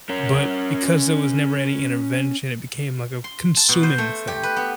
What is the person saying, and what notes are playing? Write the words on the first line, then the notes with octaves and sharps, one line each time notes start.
but because there was never any intervention, it became like a consuming thing.
C#4 A#4
C6
A5
B2
C5
A3
G4
B4
B3